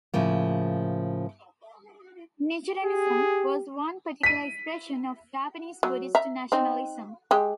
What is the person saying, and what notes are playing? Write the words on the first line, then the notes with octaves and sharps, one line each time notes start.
Nichirenism was one particular expression of Japanese Buddhist nationalism.
A2 C#3 F3 A#3
G4 G#4
B6 D#7
F#3
E5 A#5
C4 D#4
G#3 G4